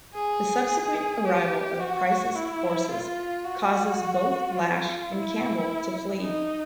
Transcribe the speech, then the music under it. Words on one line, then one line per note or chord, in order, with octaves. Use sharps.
The subsequent arrival of Price's forces causes both Lash and Campbell to flee.
G#4
G4
F#4
E4
F4
F#4
F4
E4
D#4